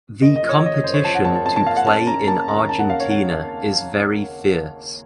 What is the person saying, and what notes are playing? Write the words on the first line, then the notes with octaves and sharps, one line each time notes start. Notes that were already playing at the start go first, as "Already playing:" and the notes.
The competition to play in Argentina is very fierce.
F#1 D#5
D#5
F3
C#5
F3 D#5
C#5
F#2 C5
C#5
F3 A5
F#5
F#1 A5
A5
F#1 A5
A5
F#1 F5
F#5
C#4 A5
C#4 A#5
A#3 A5
D#2 A#5
C#4 A5
F#5
C#4 F5
C#5
C#4 F#5